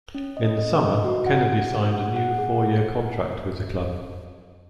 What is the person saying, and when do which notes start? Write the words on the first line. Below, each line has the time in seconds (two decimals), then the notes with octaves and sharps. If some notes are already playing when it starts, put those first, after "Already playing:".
In the summer Kennedy signed a new four-year contract with the club.
0.15 C#4
0.37 D#5
0.59 D#5
0.82 D#5
1.04 F#4
1.26 F#5
1.49 G#4
1.71 G#4
1.93 F#5
2.16 F#5
2.38 G#4